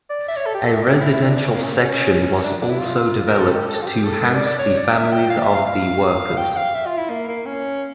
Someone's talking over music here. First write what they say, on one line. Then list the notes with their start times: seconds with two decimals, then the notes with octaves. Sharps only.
A residential section was also developed to house the families of the workers.
0.10 D5
0.28 E5
0.36 C#5
0.46 A4
0.54 G4
0.64 A4
0.73 E5
0.82 D5
0.90 G4
1.00 E4
1.12 E4
1.24 D4
1.36 D4
1.45 C#4
1.54 A#3
1.63 C#4
1.71 A#3
1.78 C#4
2.44 D4
2.61 D4
2.70 E4
2.78 F4
3.27 A#4
3.39 A4
3.52 G4
3.69 A4
3.82 F4
3.86 G4
4.04 A4
4.23 A#4
4.35 D5
4.46 D5
4.59 C#5
4.77 D5
4.94 E5
5.12 G5
5.30 F5
5.38 D5
5.43 E5
5.54 F5
5.66 F5
6.38 G5
6.57 F5
6.75 E5
6.86 F4
6.98 E4
7.10 A#3
7.28 A#3
7.46 C#4